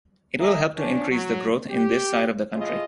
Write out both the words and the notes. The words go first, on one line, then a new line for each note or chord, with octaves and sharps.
It will help to increase the growth in this side of the country.
G#4 A#4 D#5 E5
F3 C#4 D4
F#3
G4
A2 C#3 F4 G#4 D#5